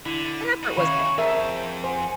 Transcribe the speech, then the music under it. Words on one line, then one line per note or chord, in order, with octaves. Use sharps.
An effort was made.
D3 E4
D#4 F#4
D#3 C#4 C#5 E5 F5 B5 C#6
F2 G#4 A#4 C5 C#5 E5 A5
C5 F#5 G#5